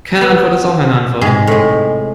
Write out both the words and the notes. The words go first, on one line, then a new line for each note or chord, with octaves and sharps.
Keine Antwort ist auch eine Antwort.
B3
G#2 C3 G#4
A2 G#3